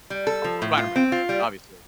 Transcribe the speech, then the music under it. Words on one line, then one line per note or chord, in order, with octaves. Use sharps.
Spider-Man outfit, obviously.
G3
A4
F3
A2
F4
C4
F4
G3